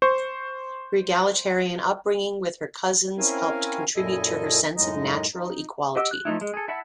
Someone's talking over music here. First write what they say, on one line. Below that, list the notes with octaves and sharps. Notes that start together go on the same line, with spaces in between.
Her egalitarian upbringing with her cousins helped contribute to her sense of natural equality.
C5 C#6
C4 C#4 E4 A#4 F5 G#5
F#2 A#2 E4 A4 D#5 G#5
F#2 A2 G#3 D#4 D#5
D#4
G4 D#5 F#5 D6 E6
F#6
F3 A3 D#4 E4
G#3
G#4 A4
E4 E5 F#5 A5 B5